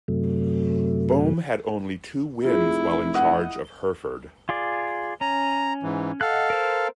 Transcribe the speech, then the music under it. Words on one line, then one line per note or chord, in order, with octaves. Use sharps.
Bohme had only two wins while in charge of Herford.
F#2 C3 F#3 A3
F1 E4 F4 G#4
D#5 F#5
F4 G#4 D5
C#4 A#5
G#2 E3
A4 D#5 F5 F#5 F#6
A#4 C5